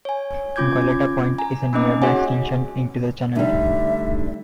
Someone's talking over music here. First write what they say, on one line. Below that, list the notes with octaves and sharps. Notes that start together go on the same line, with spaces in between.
Goleta Point is a nearby extension into the channel.
C#5 G#5
C#4 F4 D6 G6 G#6
G#5 A#5
A#3 C4 C#4 D#4 D#5 D6
F#4 G#4 C#5 F#5 G#5
D3 G3 A3 D4 D#4 E5